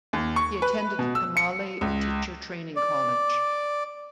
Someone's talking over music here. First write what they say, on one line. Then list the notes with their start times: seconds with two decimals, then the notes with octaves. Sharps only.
He attended Tamale Teacher Training College.
0.13 D#2
0.36 C#6
0.62 B4
0.99 B2
1.15 E6
1.37 C#7
1.81 C#2
2.76 D5